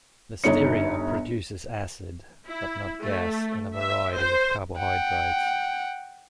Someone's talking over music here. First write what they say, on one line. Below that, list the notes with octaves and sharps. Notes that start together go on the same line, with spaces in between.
"Listeria" produces acid, but not gas, in a variety of carbohydrates.
G1 D#4 C#5 C#7
E4
A3
E5
C5
F#5 G5